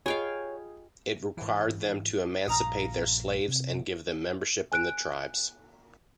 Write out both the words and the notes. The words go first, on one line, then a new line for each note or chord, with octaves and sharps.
It required them to emancipate their slaves and give them membership in the tribes.
F4 G4 G#4 C#5 D#5 F5 G5 G#5
G#2 E3
A#1 G2 F5 A#5 D#6
C3
G#5 F#6 D7